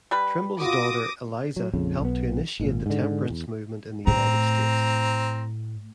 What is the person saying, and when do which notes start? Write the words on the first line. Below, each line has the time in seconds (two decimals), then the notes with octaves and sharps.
Trimble's daughter, Eliza, helped to initiate the temperance movement in the United States.
0.11 G3 B4
0.61 F4 F#4 D6 D#6 A#6
1.56 F#3
1.73 A#1 F2 C#3
2.00 B1 B3
2.60 G#1 A#2
2.86 G#2 D3
3.30 E2
4.07 A2 C4 A#5